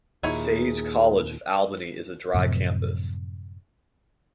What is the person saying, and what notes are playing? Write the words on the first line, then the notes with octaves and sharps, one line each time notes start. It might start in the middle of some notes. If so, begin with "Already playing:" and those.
Sage College of Albany is a dry campus.
D#2 A#2 D#4 E4 G#4 C#5
F#2 A2 C3 F3